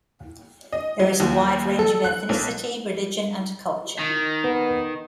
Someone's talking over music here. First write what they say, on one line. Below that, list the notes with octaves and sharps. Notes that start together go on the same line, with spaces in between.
There is a wide range of ethnicity, religion, and culture.
D#5
F#3
D#2
A4
F#6
B1
D#3
B3